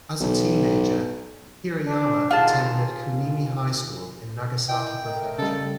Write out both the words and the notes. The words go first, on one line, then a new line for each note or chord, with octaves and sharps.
As a teenager, Hirayama attended Kunimi High School in Nagasaki Prefecture.
B1
D4
D#2 F4 G#4 A5
D#2
E4 A#4 D#5 G5
A3 A#4 D#5
C#3 G3 A4